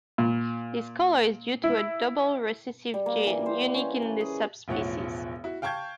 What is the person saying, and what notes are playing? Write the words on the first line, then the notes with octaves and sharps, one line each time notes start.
This colour is due to a double recessive gene unique in the subspecies.
A#2
E4
G3
A#3
E3
C5
C#4
B4
G#4
E1 A1 F3 C#5 F#5
E4 F#4
F5 G5 A5 C#6 G6 G#6